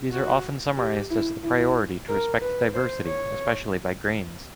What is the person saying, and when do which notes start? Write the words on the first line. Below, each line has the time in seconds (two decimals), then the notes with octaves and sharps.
These are often summarized as the priority to respect diversity, especially by Greens.
0.12 F#4
0.77 G4
1.10 E4
1.43 E4
2.09 A#4
2.41 B4
2.74 C5
3.06 C#5